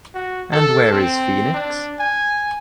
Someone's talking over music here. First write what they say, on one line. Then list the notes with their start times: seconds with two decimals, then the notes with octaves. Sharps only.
And where is Phoenix?
0.14 F#4
0.52 A4
0.92 C4
1.54 D4
1.99 G#5